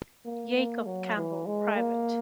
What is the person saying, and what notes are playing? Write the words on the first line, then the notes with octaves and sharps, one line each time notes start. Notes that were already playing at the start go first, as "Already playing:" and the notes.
Jacob Campbell, Pvt.
A#3
A#3
F#3
E3
G#3
A#3